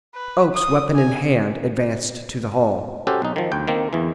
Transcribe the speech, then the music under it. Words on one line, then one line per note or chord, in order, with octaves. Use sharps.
Oakes, weapon in hand, advanced to the hall.
B4
D#6
G#5
C#4 F#4 G4 A4 C5
B1 D#4
D#3 F3
D2 G5
D#3 A#3 C4
E2 E3